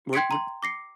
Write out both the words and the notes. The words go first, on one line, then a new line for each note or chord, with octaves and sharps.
Were were
G5 C6 G#6 B6 C#7 D7
A#5 C6
D6 A#6 C7 C#7